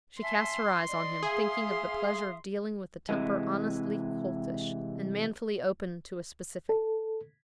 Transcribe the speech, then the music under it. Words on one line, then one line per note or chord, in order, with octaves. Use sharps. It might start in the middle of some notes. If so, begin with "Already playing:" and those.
She cast her eyes on him, thinking of the pleasure of dealing with a temper honestly coltish, and manfully open to a specific.
E5 G#5 A5 C6
D5 D#5
G#4 E5 F5 D#6
C3 E3 G#3
A4